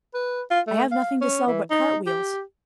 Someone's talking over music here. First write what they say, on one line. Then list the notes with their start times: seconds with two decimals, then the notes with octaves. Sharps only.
I have nothing to sell but cart-wheels.
0.14 B4
0.51 F4
0.67 A3
0.92 F5
1.21 C#4
1.47 E3
1.70 D#4
2.07 G4